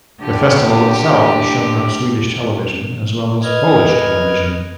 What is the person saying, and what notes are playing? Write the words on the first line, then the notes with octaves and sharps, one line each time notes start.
The festival itself is shown on Swedish television as well as Polish television.
D3 G4
B4 D#5 F6 G#6